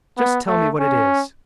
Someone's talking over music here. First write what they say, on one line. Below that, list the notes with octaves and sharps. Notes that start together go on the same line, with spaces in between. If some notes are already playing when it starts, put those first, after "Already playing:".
"Just tell me what it is."
B3
A3
C#4